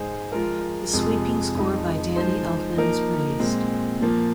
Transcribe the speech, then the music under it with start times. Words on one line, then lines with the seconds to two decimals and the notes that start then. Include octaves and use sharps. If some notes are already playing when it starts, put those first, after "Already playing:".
The sweeping score by Danny Elfman was praised.
Already playing: G#2 G#3 D#4 G#4 C5
0.32 F3 G#3 F4 A#4
0.93 F2 C3 G#3 F4 G#4
1.55 F2 F3 G#3 D#4
2.16 F3 G#3 D#4 C5
2.77 F3 A#3 D#4 A#4
3.40 A#2 G#3 C4
4.01 A#2 F3 A#3